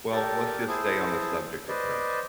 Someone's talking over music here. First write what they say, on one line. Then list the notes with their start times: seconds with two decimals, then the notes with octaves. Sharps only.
Well, let's just stay on the subject of Prince,
0.12 G4 A4 A#4 D5 A5
0.68 E4 G#4 C5 A5
1.69 B4 C5 D5 D#5